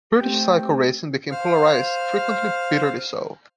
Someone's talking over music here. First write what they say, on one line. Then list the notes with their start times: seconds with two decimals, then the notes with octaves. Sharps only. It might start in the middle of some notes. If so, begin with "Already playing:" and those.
British cycle racing became polarised, frequently bitterly so.
0.20 A3 C4 G4 G5
1.31 C5 F5 F6